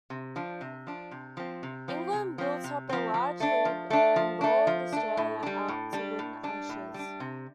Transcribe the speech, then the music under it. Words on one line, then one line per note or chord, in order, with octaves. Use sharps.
England built up a large lead and bowled Australia out to win the Ashes.
C3
F3 D4
C3
F3 D4
C3
F3 C4
C3
F3 C4
C3
F3 C4
C3
F3 C4
F3
A3 D4
F3
A3 D4
F3
A3 D4
F3
A3 D4
A2
G3 D4
A2
G3 D4
A2
G3 D4
A2
G3 D4
C3